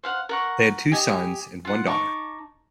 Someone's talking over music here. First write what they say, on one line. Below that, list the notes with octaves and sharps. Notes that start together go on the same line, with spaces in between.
They had two sons, and one daughter.
C5 F5 F#5
A#4 F#5 C#6
G4 D#5 G#5
F4 F#5
D#4 A5 C#6 D6